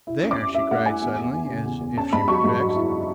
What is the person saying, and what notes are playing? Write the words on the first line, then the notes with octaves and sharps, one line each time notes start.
"There!" she cried suddenly, as if she were vexed.
E4
C#4
D6
C#4
C#4 E5
A3 F#5
E4 G#5
E2
E2
E2
C#3
E2
E2
C#4 A5
G#2 B5
F#3 C#6
G#2
F#3
E4